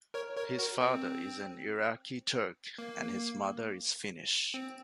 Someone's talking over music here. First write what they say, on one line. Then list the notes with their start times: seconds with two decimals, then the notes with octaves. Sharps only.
His father is an Iraqi Turk and his mother is Finnish.
0.14 A#4 C#5
0.36 A#4 C#5
0.59 F#4 A#4
0.81 C4
2.78 A#3
4.54 C4